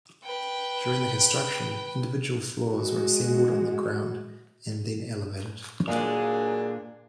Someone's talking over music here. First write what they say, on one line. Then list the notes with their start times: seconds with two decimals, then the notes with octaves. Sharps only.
During the construction, individual floors were assembled on the ground and then elevated.
0.24 B4 G5
2.69 G#3 F#4
5.88 A#2 D3 F#3 G#3 A#3 D4 G#4